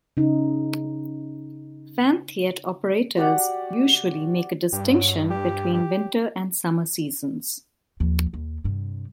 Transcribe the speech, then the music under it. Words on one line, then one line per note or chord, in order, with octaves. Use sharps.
Phan Thiet operators usually make a distinction between winter and summer seasons.
C#3 D#4
F#4 G4 D5 F#5
G2 G4
F#3
G4
G4
D#2 F3
D#2
G2 C3